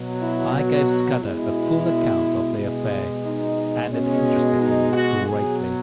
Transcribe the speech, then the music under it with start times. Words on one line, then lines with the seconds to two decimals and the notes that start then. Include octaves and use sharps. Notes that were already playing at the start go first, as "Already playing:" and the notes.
I gave Scudder a full account of the affair, and it interested him greatly.
Already playing: B2 F#3
0.21 E4
0.54 F#4
1.22 B2 G#3 E4
2.56 B2 G#3
3.24 D#4
3.91 B2 G#3 C#4
4.59 D#4
4.93 F#4
5.26 B2 F#3 G#4